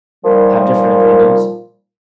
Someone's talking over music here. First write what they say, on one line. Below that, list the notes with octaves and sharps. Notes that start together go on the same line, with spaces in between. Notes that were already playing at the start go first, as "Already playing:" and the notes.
have different opinions.
A#2 D#3 F3 G3